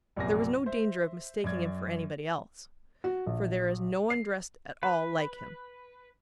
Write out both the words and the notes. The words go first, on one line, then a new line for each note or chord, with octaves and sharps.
There was no danger of mistaking him for anybody else, for there is no one dressed at all like him.
A#1 F#2 C3 A#3 G#5 A#6
C5 E5
F#2 D5 G#6
F#4
A#1
C7
B4